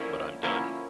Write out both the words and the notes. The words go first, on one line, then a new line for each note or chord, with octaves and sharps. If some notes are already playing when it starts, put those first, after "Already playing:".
But I'm done.
Already playing: D3 F3 A#3 C#4 E4
D3 F3 A#3 C#4 E4